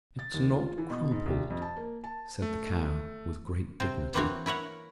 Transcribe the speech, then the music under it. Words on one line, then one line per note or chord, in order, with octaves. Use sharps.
"It's not crumpled," said the Cow, with great dignity.
A6
D#2
F4
E3
B2
G#2
C2
F2
A5
A#3
A5
A3
C3 C4 C5
E3 A#3 C4 D4 F#4 C#5
E4 A#4 C#5 F#5